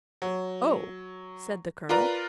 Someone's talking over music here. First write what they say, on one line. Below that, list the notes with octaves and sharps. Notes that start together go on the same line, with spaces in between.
"Oh!" said the colonel.
F#3
F4 A#4 B4 D5 A#5